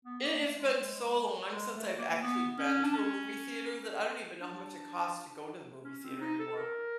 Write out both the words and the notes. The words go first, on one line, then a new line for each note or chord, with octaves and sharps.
it has been so long since I've actually been to a movie theater that I don't even know how much it costs to go to the movie theater anymore.
B3
A#3
A3
G#3
G#3
G#3
A3
A#3
B3
C#4
D4
C#4
D4
C#4
C4
D#4
A4
A#4